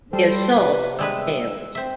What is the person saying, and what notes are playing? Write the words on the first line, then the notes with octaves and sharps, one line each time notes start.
The assault fails.
G3 A4 C5
C3 B4
G3 G#3 B4 E6
C4 E5